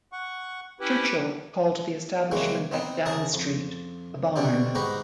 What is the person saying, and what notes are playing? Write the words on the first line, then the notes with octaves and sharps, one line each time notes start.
Churchill called the establishment at Down Street "The Barn".
F#5 C#6
C#4 E4 G4 B4
C#3 E3 F#3 G#3 A#3 C4
B3 C4 D#4
C#3 G#4 A#4 A5
F2
B2 D3 G3 C4 D#4
G#2 D#4 F#4 G4 B4 A#5